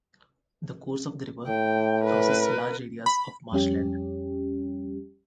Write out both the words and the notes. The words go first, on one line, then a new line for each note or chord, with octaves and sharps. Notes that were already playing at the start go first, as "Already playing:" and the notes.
The course of the river crosses large areas of marshland.
A2 G5
A#4 B4
B5
F2 G3 C#4 G4